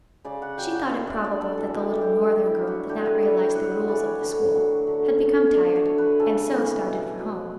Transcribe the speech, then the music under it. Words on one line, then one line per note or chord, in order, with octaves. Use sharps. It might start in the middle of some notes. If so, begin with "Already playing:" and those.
She thought it probable that the little northern girl did not realize the rules of the school, had become tired, and so started for home.
C#3 D5
F#5
F#3 G5
F#5
D4 E5
D5
F#3 D5
A4
E3 A4
G4
A3
G4
D4
E4
F#3
F#4
D3 G4
B4
G3 C#5
G5
A2 F#5
E5
E3 D5
C#5
D3
F#3
D3
A3
D3 D5
C#5
A3
B4
C#3 A4
E3
B2
F#3